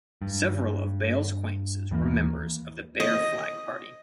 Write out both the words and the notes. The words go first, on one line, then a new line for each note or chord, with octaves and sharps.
Several of Bale's acquaintances were members of the Bear Flag Party.
G2
D#2 E3 F3 A#3
D#5